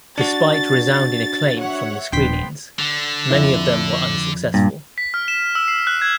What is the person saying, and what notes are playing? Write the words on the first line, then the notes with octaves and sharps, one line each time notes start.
Despite resounding acclaim from the screenings, many of them were unsuccessful.
D4 F#4 A6
C#5 E5 F#5
D#1 F3 B3 D4 G5 C6 B6
D3
F2 E4
G2 A#2
B6
F6
E7
E6
C7
F#6
G#6